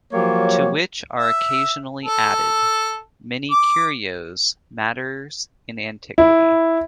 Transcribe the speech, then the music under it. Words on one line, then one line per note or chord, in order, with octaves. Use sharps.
To which are occasionally added, many curios matters in antiquity.
F3 F#3 A#3 G4 C#5
E5
A4
D6
E4